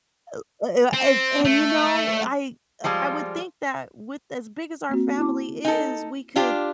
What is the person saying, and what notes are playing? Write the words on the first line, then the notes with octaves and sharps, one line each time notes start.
L uh, I a and, you know, I I I would think that with as big as our family is, we could
C4
A3
F3 G3 G#3 F4
A#3 C4 F#4
E4 A5 D6
D#4 A4 G#5
D4 F4 G4